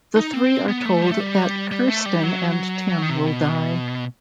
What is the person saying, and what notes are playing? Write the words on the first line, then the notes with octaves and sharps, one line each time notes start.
The three are told that Kirsten and Tim will die.
D#4
C4
B3
A3
G3
A3
G3
G3
A3
G3
F#3
D#3
C3
B2